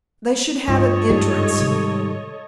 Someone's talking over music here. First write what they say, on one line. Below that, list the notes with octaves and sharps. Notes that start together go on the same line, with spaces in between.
They should have an entrance.
G2 F4 A4 C#5 D#5
G#2 G3
C3 D#3